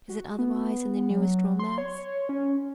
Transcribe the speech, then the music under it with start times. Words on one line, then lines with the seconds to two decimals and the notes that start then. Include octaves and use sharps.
Is it otherwise in the newest romance?
0.09 F#4
0.39 B3
1.10 F#3
1.59 C6
1.78 C#5
2.29 C#4